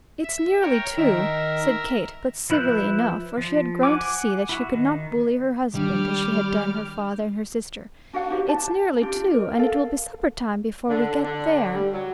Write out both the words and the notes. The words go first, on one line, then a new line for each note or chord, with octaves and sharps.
"It's nearly two," said Kate, but civilly enough, for she had grown to see that she could not bully her husband, as she had done her father and her sister; "it's nearly two, and it will be supper-time before we get there."
E5
A#4 C#5 G5
D#3 A#4 E5
F3 E4 B4 F#6 G6
F3
F#5 G#5 D6
E4 F#4
D#3
D#3 G3 D4 D6 F6 G6
D4 F#4 F5 F#5
D#4 G4 C5
A5
D4 F4 G4
A#4 D#5
A4 A#4 F5
D3
D3
G3
F#3